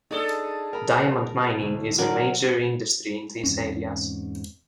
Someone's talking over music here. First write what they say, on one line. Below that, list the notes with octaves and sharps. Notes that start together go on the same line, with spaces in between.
Diamond mining is a major industry in these areas.
D4 D#4 G#4 A4
A#4 B5
D2 B2
D3 F#3 A#4 D5
E2 G#2 C4 C#4